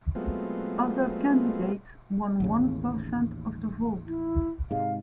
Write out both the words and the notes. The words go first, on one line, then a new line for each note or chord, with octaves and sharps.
Other candidates won one percent of the vote.
F#3 G#3 A3 B3 C4 F4
A1 D#2 C#3
E4
G#2 C3 G#3 F5